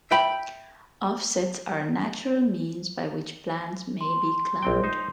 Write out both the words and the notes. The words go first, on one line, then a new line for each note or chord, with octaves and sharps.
Offsets are a natural means by which plants may be cloned.
E5 G5 B5
C6
A#1 C4 G5
D#4 C5